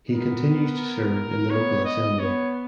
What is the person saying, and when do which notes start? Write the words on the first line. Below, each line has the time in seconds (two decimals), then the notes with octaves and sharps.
He continues to serve in the local assembly.
0.13 B3 A#4
1.50 B3 C#5
1.85 D#5
2.19 B3 C#5